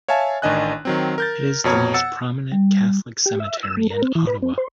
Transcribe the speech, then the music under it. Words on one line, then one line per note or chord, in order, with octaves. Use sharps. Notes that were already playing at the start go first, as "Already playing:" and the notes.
It is the most prominent Catholic cemetery in Ottawa.
C#5 E5 F5 G#5 A5
A1 D#3 D4 D#5 G#5 F#6
D#3 F#3 C4
A#4 G6 A6
F2 B2 C#5 A#5 G#6
F#5 E6 A6 C#7
G3
G4
E5
E6
A3
A#4
C4
E3
B4
C4
C5